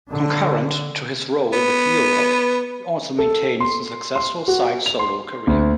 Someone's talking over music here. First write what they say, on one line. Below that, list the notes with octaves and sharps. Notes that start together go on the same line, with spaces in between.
Concurrent to his role with Europe, he also maintains a successful side solo career.
D3
B3
A4
C6
C6
F#4
F7
C6
D2